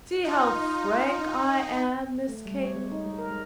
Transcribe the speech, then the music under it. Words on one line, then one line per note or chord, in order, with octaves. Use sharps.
See how frank I am, Miss Cayley.
D#4 F4
A3
G3
C#5
G#3
D#4
G#3
A#4
G#3